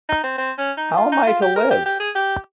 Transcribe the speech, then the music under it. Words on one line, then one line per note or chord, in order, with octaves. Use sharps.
How am I to live?
D#4
C4
C4
C#4
D#4
F4
D#4
F4
G4
A#4
G4
G4
G#4
G4